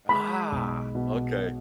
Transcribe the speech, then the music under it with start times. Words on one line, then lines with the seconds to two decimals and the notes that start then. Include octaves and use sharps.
Ah, Okay.
0.09 G#3 B5
0.52 B1
0.95 B2